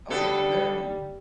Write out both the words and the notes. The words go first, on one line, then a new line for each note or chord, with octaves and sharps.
Oh, yeah, they're, um,
D3 G3 B3 A4